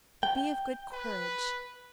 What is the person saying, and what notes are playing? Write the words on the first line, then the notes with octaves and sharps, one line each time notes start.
But be of good courage.
G5
B4